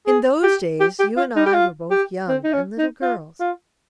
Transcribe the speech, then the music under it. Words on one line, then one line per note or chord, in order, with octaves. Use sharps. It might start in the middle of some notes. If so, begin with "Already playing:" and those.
In those days you and I were both young and little girls.
G#4
G4
G4
G4
F4
D#4
G4
F4
G4
C4
D#4
C#4
D#4
F4
F4